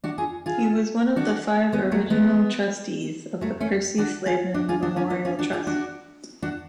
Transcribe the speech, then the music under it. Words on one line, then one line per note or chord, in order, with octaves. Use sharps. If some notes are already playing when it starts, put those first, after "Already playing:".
He was one of the five original Trustees of the Percy Sladen Memorial Trust.
D4 F#4
F4 G#4
F4 G#4
D4 F#4
G#3 B3
F#3 A3
G#3 B3
F#3 A3
A3 C#4
D4 F#4
F4 G#4
D4 F#4
F4 G#4
D4 F#4
C#4 F4
B3 D4
C#4 F4
D4 F#4
F4 G#4
D4 F#4
D4 F#4